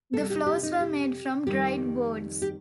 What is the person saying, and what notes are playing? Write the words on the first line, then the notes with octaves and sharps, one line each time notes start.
The floors were made from dried boards.
F2 C3 G3 A4
G4
G4
D#4
G4
F2 D#3 G3 G4
G4